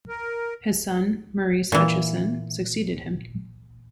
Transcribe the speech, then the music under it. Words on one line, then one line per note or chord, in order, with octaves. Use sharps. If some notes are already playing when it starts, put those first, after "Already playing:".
His son, Maurice Hutcheson, succeeded him.
A#4
A#2 E3